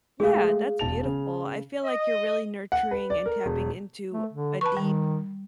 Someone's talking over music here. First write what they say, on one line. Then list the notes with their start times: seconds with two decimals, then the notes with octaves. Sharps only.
Yeah, that's beautiful. I feel like you're really nurturing and tapping into a deep,
0.20 G#3 A3 G4 G#4 F5
0.79 E1 A5 F7
1.03 C#3
1.84 D#5
2.72 F#5
2.91 B4
3.10 D5
3.26 A#4
3.45 E1
4.12 A3
4.33 D3
4.61 B4 A5 C#6
4.77 D#3 G3